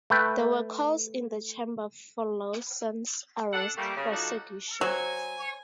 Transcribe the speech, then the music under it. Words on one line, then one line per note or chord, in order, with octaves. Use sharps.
There were calls in the chamber for Lawson's arrest for sedition.
A3 B4 G5
D4 A4 F#5
G3 A3 A#3
C#3
F3 D#4 F#4 A4 D5 F#5
F#3 C5 D#5 G#5 C#6